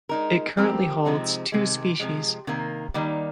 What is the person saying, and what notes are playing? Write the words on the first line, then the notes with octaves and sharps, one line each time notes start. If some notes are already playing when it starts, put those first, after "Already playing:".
It currently holds two species.
G#3 D#4 A#4
F3 C4 G4 A#4
C3 F3 G#3 C4 D#4
C3 D#3 G#3
C3 F3 G#3
C3 D#3 A#3
D#3 G3 A#3 D#4